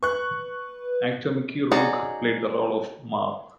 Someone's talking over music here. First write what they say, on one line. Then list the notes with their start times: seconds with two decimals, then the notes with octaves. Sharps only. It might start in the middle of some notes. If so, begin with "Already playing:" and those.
Actor Mickey Rourke played the role of Marv.
0.03 B4 C#6 F#6
1.72 C#4 D#4 F#4 G#4 D5